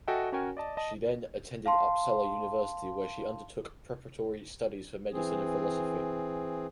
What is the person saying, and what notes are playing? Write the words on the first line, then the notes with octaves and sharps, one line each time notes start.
She then attended Uppsala University where she undertook preparatory studies for medicine and philosophy.
F#4 A4 D#5 E5 G5 G#5
C#4 F#4 A#4 C#5 G5 G#5
D5 D#5 A5
D#5 A5
F5 A5 C6
E3 C4 G#4